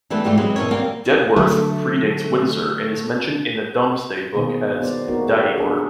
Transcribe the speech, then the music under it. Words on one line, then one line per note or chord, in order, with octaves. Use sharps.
Dedworth predates Windsor and is mentioned in the Domesday Book as "Dideorde".
E3 G3 A3 B3 B4
G#2 E3 G3 A3 F4 G4
F#3 G#3 C4 B4
B2 E3 C#4 A#4 C#5
D2 G3 A#3 C4 A#4 F5
D3 F#3 A3
B2 D#3 A#3 D#4 G#4 C5
B3 C5 D5
A#3 B3 D#4 F#4 A#4
G3 A#3 G#4 D5 E5 F#5
D4 G#4